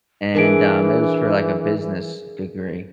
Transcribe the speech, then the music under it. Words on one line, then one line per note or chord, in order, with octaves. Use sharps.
and, um, it was for like a business degree,
E3 D4 G#4 A#4 F5 D7